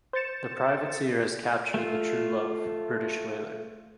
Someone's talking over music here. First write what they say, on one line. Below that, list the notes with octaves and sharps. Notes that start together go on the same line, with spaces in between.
The privateer has captured the "Truelove", British whaler.
C5 G6 A6 C#7 E7
A3 F4